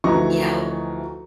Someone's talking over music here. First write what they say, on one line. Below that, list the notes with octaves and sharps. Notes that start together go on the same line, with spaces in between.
you know,
D2 E3 F3 D#4 A#5 C#6